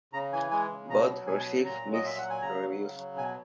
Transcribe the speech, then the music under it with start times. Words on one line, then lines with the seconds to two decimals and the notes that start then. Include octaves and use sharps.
Both received mixed reviews.
0.13 C#3 A#5
0.32 E3 G#5
0.51 G#3 G#5
0.70 C#3
0.90 B2 A#5
1.09 F#3
1.27 B2 G#5
1.46 F#3
1.65 A#2 A#5
1.84 F#3
1.93 D#5
2.03 A#2 E5
2.18 F#3 F#5
2.30 G#5
2.41 C#3 A#5
2.60 F#3
2.79 C#3
2.98 F#3
3.17 B2 G#5